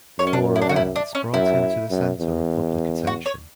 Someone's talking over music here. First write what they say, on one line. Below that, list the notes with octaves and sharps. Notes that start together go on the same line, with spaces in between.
Four events brought him to the centre of public attention.
F#2 C#5
C#4
D4
E4
D4
F#4
E4
D4
C#4
F#2 E4
F#2
E2
F#4
C#5